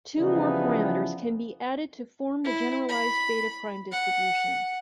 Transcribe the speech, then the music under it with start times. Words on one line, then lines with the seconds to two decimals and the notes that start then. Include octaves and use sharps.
Two more parameters can be added to form the generalized beta prime distribution.
0.17 C#3 E3 F3 G3 B3 D#4
2.44 E4
2.89 B5
3.92 F#5